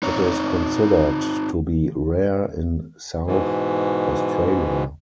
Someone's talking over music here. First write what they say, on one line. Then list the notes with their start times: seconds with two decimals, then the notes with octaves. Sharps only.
It is considered to be rare in South Australia.
0.03 C4 D#4 C#5 A#5
3.27 G#2 B2 E3